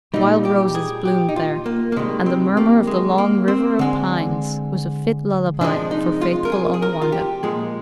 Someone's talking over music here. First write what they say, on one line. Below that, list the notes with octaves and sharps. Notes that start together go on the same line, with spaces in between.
Wild roses bloomed there, and the murmur of the Long River of Pines was a fit lullaby for faithful Onawandah.
A#2 G3 D#4
G4
G#4
G4
D#4
F4
A#3
A#3
C3 D#3 G3 G#3
C4
A#3
G#3
A#3
C4
D3 G#3
C3 F3 G#3 D4
D#4
F4
A#4
G#4
G#4
A#4
F4
G4
A#2 F3 G#3 G#4